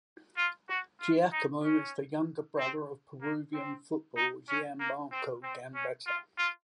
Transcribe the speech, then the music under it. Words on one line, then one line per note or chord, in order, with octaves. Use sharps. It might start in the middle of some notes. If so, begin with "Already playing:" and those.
Giacomo is the younger brother of Peruvian footballer Gianmarco Gambetta.
F4
F#4
F4
D#4
C#4
C4
A#3
C4
D#4
C#4
A#3
C4
C4
C#4
F4
F4